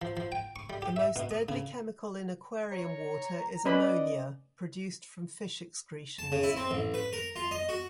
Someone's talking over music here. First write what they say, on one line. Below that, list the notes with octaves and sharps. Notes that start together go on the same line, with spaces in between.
The most deadly chemical in aquarium water is ammonia, produced from fish excretions.
F3
F3
G5
C#6
G3
G4
E5
B2
D#6
C#3
C#5 A#5
C#4 B4 D5 D#5 B5
A5
C#3
E4
C4
A1
B4
A#4
F4
D#5
F#4